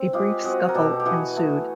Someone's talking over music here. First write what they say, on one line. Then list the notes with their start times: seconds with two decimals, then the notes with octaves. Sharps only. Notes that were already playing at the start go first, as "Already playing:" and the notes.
A brief scuffle ensued.
Already playing: C4
0.13 G#3 F4 G4
0.44 C4 F#4 G#4
0.69 A#4
0.74 B2 G4 A4
1.00 G4
1.05 E3 F#4 G#4
1.37 A3